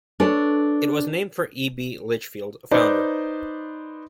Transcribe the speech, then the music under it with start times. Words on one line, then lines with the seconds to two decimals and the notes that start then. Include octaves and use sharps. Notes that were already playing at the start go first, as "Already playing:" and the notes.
It was named for E. B. Litchfield, a founder.
0.20 D4 A4 B4 C#5
2.71 D#4 B4 C5 D5